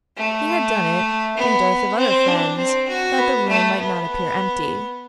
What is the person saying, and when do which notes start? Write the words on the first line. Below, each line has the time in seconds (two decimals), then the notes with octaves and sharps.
He had done it, in dearth of other friends, that the room might not appear empty.
0.16 A3
1.37 B3
1.97 C4
2.27 D4
2.57 C4
2.88 F#4
3.18 B3
3.48 A3
3.79 B3